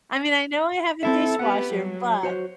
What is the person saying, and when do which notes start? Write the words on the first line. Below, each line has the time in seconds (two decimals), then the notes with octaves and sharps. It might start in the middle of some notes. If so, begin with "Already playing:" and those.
mean, I know I have a dishwasher, but
1.03 C4 E4 A4 E5
1.39 B3 G4 F#5
1.74 F#3
2.23 F#4 C5 C#5